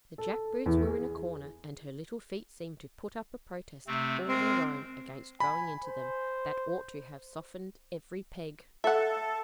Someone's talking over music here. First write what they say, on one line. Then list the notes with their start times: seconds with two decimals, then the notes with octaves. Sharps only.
The jack-boots were in a corner, and her little feet seemed to put up a protest all their own, against going into them, that ought to have softened every peg.
0.18 A4
0.66 E2
0.87 G#4
3.87 C3 A3 C4
4.29 G#3 C4 A#4 C5
5.40 G#5 B5
5.84 C5
8.84 A4 E5 F#5